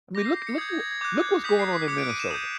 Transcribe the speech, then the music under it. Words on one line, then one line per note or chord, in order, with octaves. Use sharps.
I mean, look look who Look what's going on in Minnesota,
D6 G6 A#6
C7
C7
C#7
D#6 G6 G#6
G#6
G#6
G#6
D6 F#6 G6
G#6
D#6 G6 B6
C7
B6
D6 F#6 C#7
D7
D#7
E7
D#6 G6